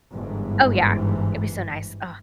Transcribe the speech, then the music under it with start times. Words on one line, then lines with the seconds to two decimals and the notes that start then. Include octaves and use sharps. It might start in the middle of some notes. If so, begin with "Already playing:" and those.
Oh, yeah. It'd be so nice, ugh.
0.13 G1 G#2 E3